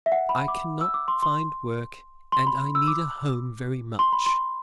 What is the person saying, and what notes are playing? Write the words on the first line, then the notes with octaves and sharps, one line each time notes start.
"I cannot find work, and I need a home very much."
E5
F#5
B5
D6
E6
D6
C6
C6
C6
B5
E6
D6
C6
B5
C6